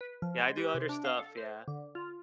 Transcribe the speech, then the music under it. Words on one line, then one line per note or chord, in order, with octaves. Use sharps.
Yeah, I do other stuff, yeah.
B4
F3
G#3
G4
C3
D4
F5
A4
C5
D3
F4